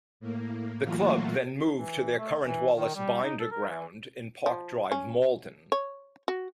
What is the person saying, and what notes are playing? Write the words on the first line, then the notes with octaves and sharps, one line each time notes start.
The club then moved to their current Wallace Binder Ground in Park Drive, Maldon.
A2 A#3
E3 F#3 A3 A#3 F4 F#4
E3
A3
E3
D#3
G3
D#4
A4
A#4
E3
F3
C#4
C#5
F#4